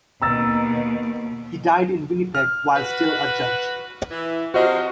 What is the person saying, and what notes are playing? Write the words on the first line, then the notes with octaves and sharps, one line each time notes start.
He died in Winnipeg while still a judge.
D#2 B2 A#5 E6 A6
F6
F#4 B4
E3
C3 F3 F#4 D#5